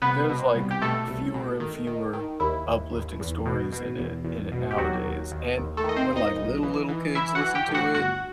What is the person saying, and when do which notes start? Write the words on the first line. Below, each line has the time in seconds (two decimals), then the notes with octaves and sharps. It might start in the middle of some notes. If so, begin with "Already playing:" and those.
there's, like, fewer and fewer uplifting stories in it in it nowadays, and when, like, little little kids listen to it,
0.02 C2 B3 B4
0.29 B2
0.54 C2
0.71 G4
0.81 B2 A3 A4
1.08 C2
1.34 B2
1.60 D#3
1.87 D#3
2.13 D#3
2.40 D#2 E4
2.66 D#2
2.92 D#2
3.19 E2
3.46 B2
3.73 B2
3.98 E2
4.25 E2
4.51 B2
4.71 G4
4.77 D#2 F#3 F#4
5.04 D#2
5.31 D#2
5.57 D#2
5.77 A3 A4
5.84 D#3
5.89 D#5
5.96 C4 C5
6.10 D#2
6.16 D#4 D#5
6.36 B1
6.63 E3
6.88 E3
7.15 E3 E4 E5
7.35 F#4 F#5
7.41 E3
7.55 G4 G5
7.68 A2
7.74 F#4 F#5
7.94 G1 F#4 F#5